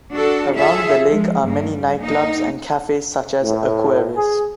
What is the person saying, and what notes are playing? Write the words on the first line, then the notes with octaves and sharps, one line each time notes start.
Around the lake are many nightclubs and cafes such as Aquarius.
D4 F#4 A4
F4 G#4 A4 E5
F3 G#3
G2 A#3
G3
A#3 D#4
A2
G#4